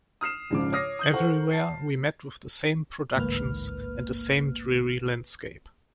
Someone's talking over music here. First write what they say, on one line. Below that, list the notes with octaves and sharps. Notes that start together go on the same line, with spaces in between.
Everywhere we met with the same productions, and the same dreary landscape.
D#6 F6 C7 E7
A#1 G#2 C#3 F3 D6
C#5 D6 D#6 F6 A#6 C7
D#6 G6 F#7
A4 C5 F#5 C#6
A5 C7
A1 D2 G#2 A#3 B4 F6